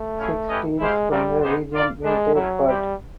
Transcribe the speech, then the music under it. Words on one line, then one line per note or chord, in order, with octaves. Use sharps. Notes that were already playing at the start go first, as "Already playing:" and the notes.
Six teams from the region will take part.
Already playing: A3
C#4 E4 G#4 C#5 F5
C#4 E4 G4 B4 D#5
G#3 E4 G4 C5 F5
G3 A3 C4 F4 A#4 D5
G#3 B3 D#4 G4 C5
F4 A#4 D5 F5
G3 G#3 B3 D4
F#3 A3 C#4 E4
G3 C4 E4 G4